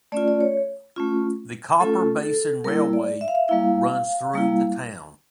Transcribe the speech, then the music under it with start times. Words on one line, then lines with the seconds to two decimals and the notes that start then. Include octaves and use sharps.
The Copper Basin Railway runs through the town.
0.12 A3 C#4 F4 D5
0.28 D5
0.41 C#5
0.96 A3 C#4 F4
1.80 A3 C#4 F4 A4
2.23 A4
2.64 G3 A#3 E4 A#4
2.93 D5
3.21 E5
3.28 F5
3.35 E5
3.48 G3 A#3 E4 F5
4.33 G3 A#3 E4